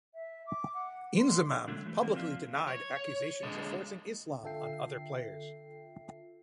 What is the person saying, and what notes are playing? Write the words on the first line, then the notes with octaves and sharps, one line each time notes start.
Inzamam publicly denied accusations of forcing Islam on other players.
E5
D6
F#5
C6
D3 F#3 G#3 A3 D4
E3 A3
D#3 F3 A#3 C4
F3 C4 D4 F4 E5 F5
C#5
D3 G#3
D3 F4 A4 E5 G5 C7